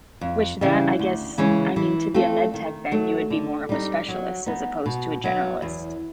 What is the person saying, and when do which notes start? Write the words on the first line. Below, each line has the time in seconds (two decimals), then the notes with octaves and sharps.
Wish that I guess, I mean to be a med tech, then you would be more of a specialist as opposed to a generalist.
0.21 F2
0.61 C#3 E3 G3 C4
0.99 D2
1.38 C#3 E3 G#3 C#4
1.76 E3
2.14 A3 C4 F4 A4
2.54 D#3
2.92 F#3 A3
3.30 D3
3.69 G3 C4 D#4
4.08 F#3
4.46 B3 D#4
4.86 B2
5.24 F#3 B3
5.62 E2